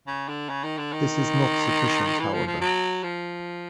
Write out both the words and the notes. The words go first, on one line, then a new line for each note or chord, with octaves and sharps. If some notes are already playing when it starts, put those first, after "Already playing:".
This is not sufficient, however.
C#3
D3
C#3
D#3
D3
D#3
E3
F3
F3
F#3
F3